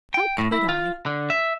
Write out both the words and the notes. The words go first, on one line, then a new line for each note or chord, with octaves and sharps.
How could I?
G5
A2
E4
F4
D3
E5